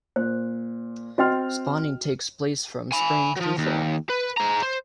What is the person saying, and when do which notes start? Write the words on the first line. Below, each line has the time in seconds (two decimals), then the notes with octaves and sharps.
Spawning takes place from spring through fall.
0.16 A#2 C5
1.18 C4 F#4 D#5 G5 C6 F6
2.92 G#5 B5
3.36 F3 F#3
3.58 D#2
4.10 B4
4.37 G#3 A#5
4.62 C5